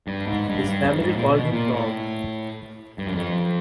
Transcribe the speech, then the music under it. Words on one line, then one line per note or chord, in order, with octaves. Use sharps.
His family called him Tom.
G2
G#2
G2
G2
F2
G#2
A#2
B2
A#2
A2
G2
F#2
F2